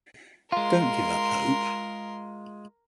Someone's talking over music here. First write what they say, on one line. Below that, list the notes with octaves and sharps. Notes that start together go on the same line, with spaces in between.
Don’t give up hope.
G#3 F4 A#4 C6